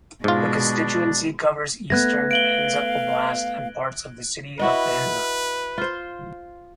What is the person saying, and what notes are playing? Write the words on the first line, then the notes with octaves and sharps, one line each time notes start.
The constituency covers eastern Penza Oblast and parts of the city of Penza.
G#2 B2 G#3 D4 F4
A3 B3 F#6 G#6 A#6
F5 D7 F#7 G7
E4 F#4 B4 D#5
F4 C5